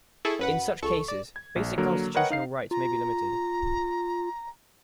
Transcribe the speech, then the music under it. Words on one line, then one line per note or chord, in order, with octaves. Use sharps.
In such cases, basic constitutional rights may be limited.
E4 G#4 A4 C#6
F#2 B4 F#5
C#2 A4 C#6
D5
G#6
A#1
D3 F#3 A#3 A#4
A#4 B4 C#5 D#5 F#5 G5
D#4 F5 C7
F4 A#5